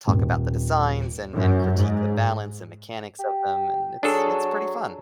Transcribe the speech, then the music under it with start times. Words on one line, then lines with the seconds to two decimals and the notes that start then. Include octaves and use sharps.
talk about the designs, and and critique the balance and mechanics of them, and it's it's pretty fun.
0.08 D#1
1.35 F#2
1.76 G#2
3.19 G4
4.03 F#3 D4 G#4 A4